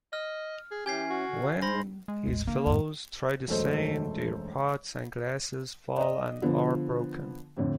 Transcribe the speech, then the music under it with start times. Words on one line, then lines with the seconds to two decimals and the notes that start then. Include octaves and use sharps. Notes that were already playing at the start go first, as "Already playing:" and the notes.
When his fellows try the same, their pots and glasses fall and are broken.
0.13 D#5 F6
0.71 G#4
0.86 E3 C#4 G4 G#5 G#6 C7
1.10 F#4
1.28 D3
1.62 G#2 C5 B5 C6 A#6
2.08 G#3
2.26 A1 D#2
2.47 D3 A#3
2.66 F2 G#2
3.48 E1 F#2 A3 A4 C5 D#5
5.97 D5 D#5
6.42 D3 F3 B3
7.57 F2 A2 D3